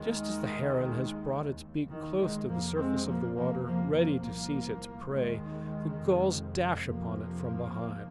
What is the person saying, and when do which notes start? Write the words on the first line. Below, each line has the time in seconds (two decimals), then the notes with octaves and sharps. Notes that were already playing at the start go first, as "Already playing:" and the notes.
Just as the heron has brought its beak close to the surface of the water, ready to seize its prey, the gulls dash upon it from behind.
Already playing: D#2 D#3 G#3
0.71 D#2
1.59 D#2
1.88 D#3
2.18 D#3 G#3
2.47 F2 C3 F3 A#3
2.76 G#3 C4
3.05 F3 A#3
3.34 F2 C3 F3 A#3
3.63 F3 A#3
3.92 F3 A#3
4.22 C2 A#2 F3 A#3
5.09 D#2 D#3 G#3
5.97 F2 C3
6.85 F2 C3 F3 A#3
7.73 D#2